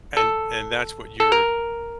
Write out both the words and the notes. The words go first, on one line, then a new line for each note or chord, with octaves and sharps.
and and that's what your
A4
A4
A#4